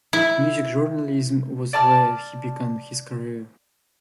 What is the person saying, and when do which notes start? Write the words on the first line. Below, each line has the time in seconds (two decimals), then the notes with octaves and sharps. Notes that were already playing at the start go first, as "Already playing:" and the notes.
Music journalism was where he began his career.
0.13 E4
1.73 D5 A5 F6